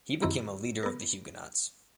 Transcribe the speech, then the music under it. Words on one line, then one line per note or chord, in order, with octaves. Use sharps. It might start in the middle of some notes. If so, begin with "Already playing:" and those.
He became a leader of the Huguenots.
F#2 D#3 C4 E4 A#5 B5
B3 A#4